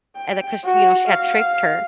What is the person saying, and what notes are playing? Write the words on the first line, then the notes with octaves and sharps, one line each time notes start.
and then 'cause, you know, she had tricked her.
G5
F#4
F5